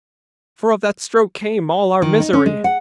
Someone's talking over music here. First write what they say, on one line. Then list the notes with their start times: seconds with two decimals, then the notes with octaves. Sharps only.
For of that stroke came all our misery.
2.02 D#3
2.20 D#4
2.33 C#4
2.46 G#3
2.64 F#5